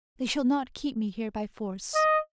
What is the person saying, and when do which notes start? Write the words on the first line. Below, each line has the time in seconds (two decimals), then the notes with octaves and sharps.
They shall not keep me here by force.
1.94 D#5